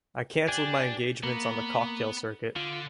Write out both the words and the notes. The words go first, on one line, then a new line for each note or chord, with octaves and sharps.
I cancelled my engagements on the cocktail circuit.
D4 G4 D5 G#5
A#3 B3
D3 F4